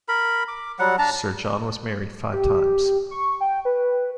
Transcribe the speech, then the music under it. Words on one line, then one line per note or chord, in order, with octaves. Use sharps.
Sir John was married five times.
A#4 B5
D6
F#3 G3 F#5
D4 A5 A#5
G4
C#6
G5
B4